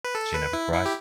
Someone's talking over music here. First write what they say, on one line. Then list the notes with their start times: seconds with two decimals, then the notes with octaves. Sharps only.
She never cried.
0.05 B4
0.15 A4
0.33 B4
0.53 E4
0.72 E4
0.86 G4